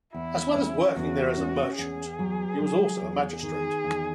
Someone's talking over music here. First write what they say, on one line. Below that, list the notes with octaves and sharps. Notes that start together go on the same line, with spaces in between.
As well as working there as a merchant, he was also a magistrate.
E2 E4
C#4
E2 F#4
C#4
E2 G#4
F#3
F#3
E2
D#3 G#4
E2